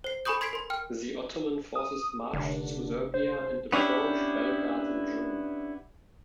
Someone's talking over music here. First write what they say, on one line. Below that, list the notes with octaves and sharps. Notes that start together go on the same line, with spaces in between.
The Ottoman forces marched through Serbia and approached Belgrade in June.
C5 C7
A4 G#5 B5 C#6 D#6 G6
C6 G#6 B6 C7 D7
A#4 C6
G5 F6
D#6
F1 D3
C5
B3 C#4 D4 E4 G4